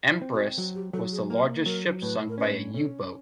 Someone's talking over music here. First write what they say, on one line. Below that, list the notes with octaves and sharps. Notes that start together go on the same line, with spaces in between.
"Empress" was the largest ship sunk by a U-boat.
E4
C4
F#4
F#3 F#4
G4
F#3 A4
G#4
A#3 A#4
F#3 A#4
A2 B4
A#4
C#4 B4
C#4 A4